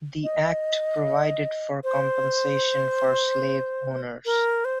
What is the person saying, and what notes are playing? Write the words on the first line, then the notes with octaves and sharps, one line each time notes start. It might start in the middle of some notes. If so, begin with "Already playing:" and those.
The Act provided for compensation for slave-owners.
D#5
C5
A#4
C5